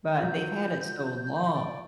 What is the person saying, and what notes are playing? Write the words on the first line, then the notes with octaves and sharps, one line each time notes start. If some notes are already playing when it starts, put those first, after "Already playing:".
but they've had it so long.
F3 F#3 G6
D5